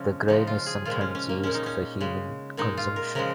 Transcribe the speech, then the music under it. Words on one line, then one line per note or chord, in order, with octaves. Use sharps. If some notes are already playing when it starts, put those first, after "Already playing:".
The grain is sometimes used for human consumption.
Already playing: C#3 F3 G#3 C#4
C#3 F3 G#3 D#4
F4
G#4
A#2 F3 G#3 F4
C#4
C#4
A#3
A#2 G#3 C#4
D#4
C#4
C#3 G#3
A#2 G#3 D#4
F4
A#4
C#3 F3 G#3 A#4